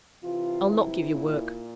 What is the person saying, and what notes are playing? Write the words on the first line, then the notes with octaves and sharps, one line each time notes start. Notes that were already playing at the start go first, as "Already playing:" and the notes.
I'll not give you work.
C3 E3 F4
E4
A#2